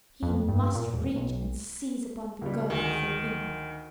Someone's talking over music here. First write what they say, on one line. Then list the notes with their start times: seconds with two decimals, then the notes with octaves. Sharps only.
He must reach and seize upon the girl before him!
0.23 F2
0.49 G2
0.75 A#2
0.93 E1
1.16 B1
2.41 C#2 G3
2.70 D2 D#3 G#4